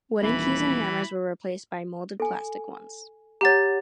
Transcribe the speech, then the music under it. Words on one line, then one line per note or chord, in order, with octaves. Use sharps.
Wooden keys and hammers were replaced by moulded plastic ones.
D#1 E3 B5
A4 G#5
G4 C#5 F#5 A#5 A6